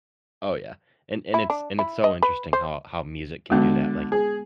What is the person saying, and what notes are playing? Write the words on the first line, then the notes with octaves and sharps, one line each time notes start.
Oh yeah. And and it's and it's so interesting how how music can do that, like
E4
D4
E4
D#5
B4
C5
B2 D3 F#3 G#3 B3
G#4